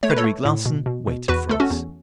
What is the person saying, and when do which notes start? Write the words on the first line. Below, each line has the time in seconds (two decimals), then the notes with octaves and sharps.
Frederic Larsan waited for us.
0.03 A3 C#5
0.10 B4
0.16 A4 C#5
0.24 A3
0.45 A2
0.65 B2
0.86 B2
1.07 B2
1.28 E2 F#4 B4
1.49 A3 A4
1.60 C#4 F#4
1.70 E2